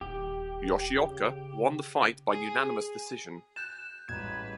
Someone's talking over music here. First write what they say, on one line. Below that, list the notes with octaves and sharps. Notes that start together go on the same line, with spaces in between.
Yoshioka won the fight by unanimous decision.
D#1 G4
C#3
G#4
F#6 G6 A6 E7
A1 G#2 G3 B4 G#6